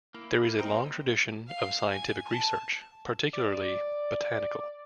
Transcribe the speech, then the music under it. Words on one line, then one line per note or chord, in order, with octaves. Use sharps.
There is a long tradition of scientific research, particularly botanical.
A#3 E4
C4 D#4 E4 A#4 G5 A#5 C6
F5
G#5
A5
D5